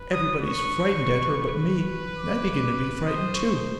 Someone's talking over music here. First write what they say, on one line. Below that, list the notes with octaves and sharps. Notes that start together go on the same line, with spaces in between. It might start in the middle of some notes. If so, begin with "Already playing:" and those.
Everybody is frightened at her but me, and I begin to be frightened too.
Already playing: B4
D#6
C#6
B4
D6
C5 D#6
C#6